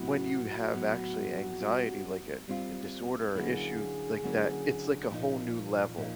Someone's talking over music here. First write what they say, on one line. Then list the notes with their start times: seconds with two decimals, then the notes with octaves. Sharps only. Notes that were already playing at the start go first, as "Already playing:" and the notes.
when you have actually anxiety, like, an a disorder or issue, like, that, it's like a whole new level.
Already playing: A2 F#3 B3 E4 F#4
0.73 A2 F#3 B3 E4
1.60 G3 C4 F4
2.48 G3 C4 F4
3.35 D3 F#3 A#3 C#4 E4 G#4
4.22 D3 F#3 A#3 C#4 E4
5.11 A#2 F3 A#3 D#4
5.97 A#2 F3 A#3 D#4